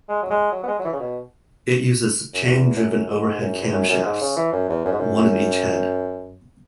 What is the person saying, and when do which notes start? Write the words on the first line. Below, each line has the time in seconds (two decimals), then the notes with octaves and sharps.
It uses chain-driven overhead camshafts, one in each head.
0.09 G#3
0.23 F#3
0.30 G#3
0.52 F#3
0.63 B3
0.68 G#3
0.79 F#3
0.85 E3
0.93 C#3
1.00 B2
2.33 F#2
2.44 E2
2.76 F#2
3.09 G#2
3.40 F#2
3.61 E2
3.72 F#2
3.89 F#2
4.05 G#2
4.21 C#3
4.37 E3
4.53 F#2
4.69 E2
4.85 F#2
4.92 G#2
4.99 F#2